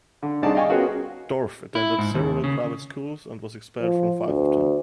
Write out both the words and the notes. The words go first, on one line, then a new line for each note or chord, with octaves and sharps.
Dorff attended several private schools, and was expelled from five of them.
D3
C2 D3 D#4 G#4 D5 A5
D#5 F5 G5 G#5 C#6
B3 C#4 F4 F#4 G#4 A#4
E4
G#2
D#2
C#3
F3
D2